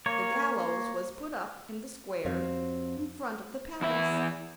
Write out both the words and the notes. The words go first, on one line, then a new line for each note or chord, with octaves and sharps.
The gallows was put up in the square in front of the palace.
A#3 C#5
F2 C4 F#4 C#5 F5
E2 E4 E5